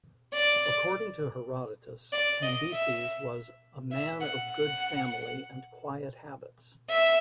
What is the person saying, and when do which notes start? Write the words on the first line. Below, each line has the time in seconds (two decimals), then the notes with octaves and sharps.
According to Herodotus, Cambyses was "a man of good family and quiet habits".
0.34 D5
2.12 D5
2.42 D#5
2.72 E5
3.91 E5
4.20 F#5
4.50 F#5
6.90 E5